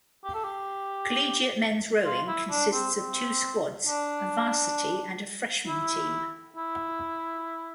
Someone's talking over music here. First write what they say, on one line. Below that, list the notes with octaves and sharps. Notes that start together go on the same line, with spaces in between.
Collegiate men's rowing consists of two squads, a varsity and a freshman team.
G4
A4
G4
F4
E4
D4
C4
C4
D4
E4
E4